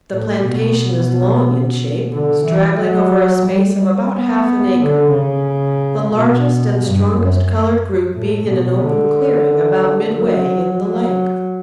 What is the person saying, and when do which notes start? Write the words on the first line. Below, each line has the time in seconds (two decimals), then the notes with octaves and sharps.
The plantation is long in shape, straggling over a space of about half an acre, the largest and strongest-coloured group being in an open clearing about midway in the length.
0.11 A2
0.45 B2
2.12 D3
2.46 E3
2.79 F#3
3.46 G3
4.13 B3
4.80 D3
5.14 C#3
6.13 B2
6.81 G2
7.14 F#2
8.14 A2
8.48 B2
8.82 D3
10.15 F#3
10.82 F#3